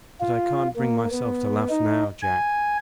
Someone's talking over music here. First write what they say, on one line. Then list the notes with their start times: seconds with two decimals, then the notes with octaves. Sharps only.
But I can't bring myself to laugh now, Jack.
0.21 F4
0.76 A#3
1.12 B3
1.70 D#4
2.22 G#5